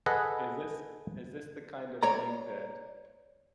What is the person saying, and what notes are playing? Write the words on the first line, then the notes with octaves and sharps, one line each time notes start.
Is this is this the kind of thing that
G#4 A4 B4 D#5 F#5
C#5 D5 A#5